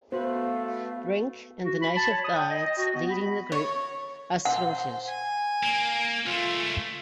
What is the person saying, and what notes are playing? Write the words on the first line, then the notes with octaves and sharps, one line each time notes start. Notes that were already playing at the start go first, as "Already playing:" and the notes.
Brink and the native guides leading the group are slaughtered.
A3 B3 F#4 B4 C5 F5
F#4
B5
A5
C#5
D#6
G5
D#5
D#5
F#4
B3
B5
C#5
C5 F#5
G#5
A#3
C#2 A3 F4